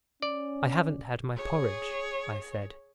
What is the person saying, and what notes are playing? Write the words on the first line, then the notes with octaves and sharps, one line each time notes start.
"I haven't had my porridge," I said.
C#4 D5
G#4 C#5